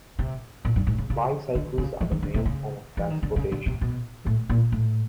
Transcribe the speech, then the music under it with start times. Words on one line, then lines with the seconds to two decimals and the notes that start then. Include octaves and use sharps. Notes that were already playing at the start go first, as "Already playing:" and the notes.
Bicycles are the main form of transportation.
0.19 C3
0.65 A#2
0.76 G2
0.87 G#2
0.98 C#3
1.10 C#3
1.55 D3
1.78 C#3
2.01 E3
2.11 D#3
2.23 D3
2.34 C3
2.46 C#3
2.97 E3
3.10 D#3
3.23 D3
3.36 C#3
3.52 D3
3.66 C3
3.81 B2
4.26 A2
4.50 A#2
4.72 A2